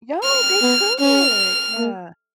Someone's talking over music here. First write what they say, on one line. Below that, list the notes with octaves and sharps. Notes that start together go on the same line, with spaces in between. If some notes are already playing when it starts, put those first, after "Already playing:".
Yo, they could. Yeah.
F6
B3
C#4 F6
A#3